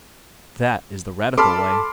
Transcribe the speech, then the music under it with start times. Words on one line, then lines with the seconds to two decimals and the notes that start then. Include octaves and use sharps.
That is the radical way.
1.38 A4 A5 B5 C6 D6 F6